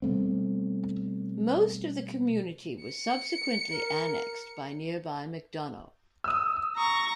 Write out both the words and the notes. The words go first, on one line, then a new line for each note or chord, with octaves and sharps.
Most of the community was subsequently annexed by nearby McDonough.
B2 G3 A3 C4
C#7
A#4
D#6 E6
A#5 C#6